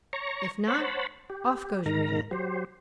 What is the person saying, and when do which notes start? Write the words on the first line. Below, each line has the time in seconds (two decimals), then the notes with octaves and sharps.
If not, off goes your head.'
0.13 C#5 A#5 C#6
0.67 C5 C#5 F#5 A5 B5
1.30 G4
1.86 G#2 D#3 A#4 A#5
2.31 F#3 G4 C5